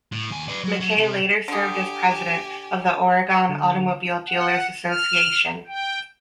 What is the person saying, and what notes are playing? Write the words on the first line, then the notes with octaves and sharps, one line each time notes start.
McKay later served as president of the Oregon Automobile Dealer's Association.
A2
D#2 G#5
B4 D5
F#3
F#3
C3
D3 G4 G#4 G#5
D3
F#5
F6
G5